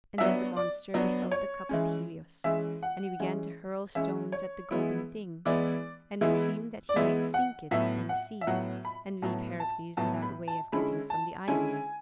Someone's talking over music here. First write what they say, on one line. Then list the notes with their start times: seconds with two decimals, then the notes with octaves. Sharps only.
And then the monster beheld the cup of Helios, and he began to hurl stones at the golden thing, and it seemed that he might sink it in the sea, and leave Heracles without a way of getting from the island.
0.18 F#3 B3 D4 E5
0.56 D5
0.94 F#3 B3 D4
1.32 C#5
1.69 E3 G#3 C#4
2.44 E3 G#3 C#4 E5
2.83 F#5
3.20 E3 G#3 C#4
3.95 E3 G#3 C#4 E5
4.32 C#5
4.71 E3 G#3 B3 E4
5.45 E3 G#3 B3 E4 D5
6.21 E3 G#3 B3 E4
6.89 D5
6.96 E3 G#3 B3 E4 E5
7.34 F#5
7.71 A2 F#3 B3 E5
8.09 F#5
8.41 E5
8.47 A2 F#3 B3 F#5
8.85 B5
9.22 A2 F#3 B3 A5
9.60 A5
9.97 A2 F#3 B3 A5
10.22 B5
10.48 A5
10.72 D3 G#3 C#4 E4 B5
11.10 A5
11.48 D3 G#3 C#4 E4 G#5